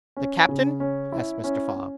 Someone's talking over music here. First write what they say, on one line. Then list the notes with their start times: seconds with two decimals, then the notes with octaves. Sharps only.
"The captain?" asked Mr. Fogg.
0.17 C#4
0.49 C#3
0.80 C#4
1.12 E4
1.44 C#4
1.76 C#4